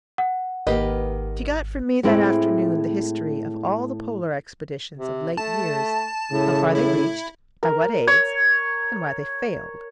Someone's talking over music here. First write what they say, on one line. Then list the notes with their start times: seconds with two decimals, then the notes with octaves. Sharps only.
She got from me that afternoon the history of all the Polar expeditions of late years, how far they reached, by what aids, and why they failed.
0.18 F#5
0.67 G#1 D#3 A#3 G4 B4 D#5
2.03 A2 G#3 C4 E4
4.97 C3
5.37 A3 A5
6.32 A2 C#3
6.75 E4
7.63 A#4
8.07 C#5